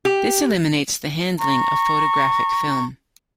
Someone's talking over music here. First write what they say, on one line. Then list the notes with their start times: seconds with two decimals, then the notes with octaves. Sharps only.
This eliminates the handling of photographic film.
0.05 G4
1.39 A#5 C#6